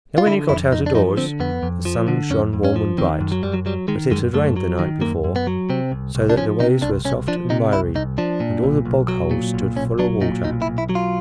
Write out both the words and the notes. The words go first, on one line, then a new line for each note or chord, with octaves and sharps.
Now when he got out of doors the sun shone warm and bright; but it had rained the night before, so that the ways were soft and miry and all the bog holes stood full of water.
F4
D3 E4
F2 E4
F2 D#4
D4
F3 D#4
D3 C4
F2 B3
F2
F3
D3
F2 C#4
F2
C#4
F3
D#3 C4
F#2
F#3
F#2 G3
F#3
F#3 G3
D#3 G#3
F#2 G#3
F#2 A3
F#3
D#3
F#2 A#3
F#2
B3
F#3
C3 C4
C2
C2
D4
F3 C#4
C3 D#4
C2 D4
C2 C#4
F3 D4
C3 D#4
C2 E4
C2 D#4
F3 D4
A#2
B1
B1
F#3
A#2
B1
B1 C#4
F#3 D4
A#2 D#4
B1 D#4
E4
B1
E4
F#3
F4